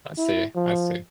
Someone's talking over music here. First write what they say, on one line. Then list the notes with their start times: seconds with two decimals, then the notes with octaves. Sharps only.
I see, I see.
0.18 E4
0.56 F3